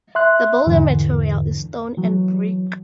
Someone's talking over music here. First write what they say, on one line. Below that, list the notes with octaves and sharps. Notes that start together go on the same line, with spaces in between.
The building material is stone and brick.
E5 C6 F#6
E2 G#2 D3 E3
E3 F#3